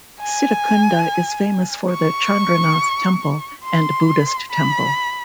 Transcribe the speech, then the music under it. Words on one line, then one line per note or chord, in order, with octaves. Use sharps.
Sitakunda is famous for the Chandranath Temple and Buddhist temple.
G#5
C#6
C6
B5